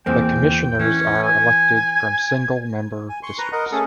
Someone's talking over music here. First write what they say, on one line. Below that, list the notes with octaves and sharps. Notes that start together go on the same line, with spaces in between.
The Commissioners are elected from single-member districts.
E2 A#3 C4 G5
E3 C#4
G#5
G#5
C6 C#6
B4 A#5
A#4 D#5 F#5
A3 C#4 G#4 A4